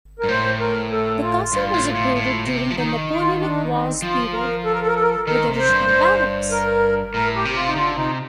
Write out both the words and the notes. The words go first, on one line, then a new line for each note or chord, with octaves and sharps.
The Castle was upgraded during the Napoleonic Wars period, with additional barracks.
G2 A#4
A2 C5
A#4
A4
F4
G2
A2
A2
A2
C3
F3
D#3 D#4
F4
D4
C4
F3 F4
A#4
A4
A#4
A4
A#4
A4
A#4
A4
D#3 A#4
C3
C5
G2
G2
A#4
A2 A#4
G4
C3
F4
D#4
D3 F4
C3 D#4